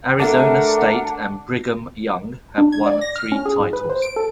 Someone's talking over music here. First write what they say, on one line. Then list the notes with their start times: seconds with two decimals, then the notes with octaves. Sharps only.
Arizona State and Brigham Young have won three titles.
0.20 A3 D4 A#4 F#5
2.58 D4
2.72 G#6
2.86 D5
3.01 A#6
3.16 F6
3.32 C#4
3.46 G#4
3.60 G#2
3.73 B4
3.89 C5
4.02 D7
4.16 A4